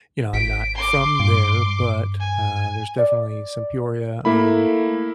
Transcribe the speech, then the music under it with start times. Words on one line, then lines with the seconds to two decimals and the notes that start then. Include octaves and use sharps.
you know, I'm not from there, but, uh, there's definitely some Peoria, um,
0.34 G#1 B6 D7
0.75 C6 D6
1.20 G2
2.20 G#5
2.98 D5
4.25 A3 A#3 E4 B5